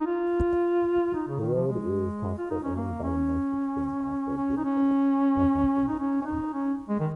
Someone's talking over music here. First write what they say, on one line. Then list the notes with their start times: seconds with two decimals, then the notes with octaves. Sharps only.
The road is passable only by the most extreme off-road vehicles and adventure motorcycles.
0.01 D#4
0.06 F4
1.15 D#4
1.28 C#3
1.41 D#3
1.55 F3
1.67 G#3
2.38 F4
2.50 D#4
2.64 C#4
2.76 A#3
3.03 C#4
4.37 C#4
4.57 D#4
4.65 C#4
5.88 D#4
6.00 C#4
6.22 C#4
6.26 D#4
6.53 C#4
6.89 G#3
7.00 D#3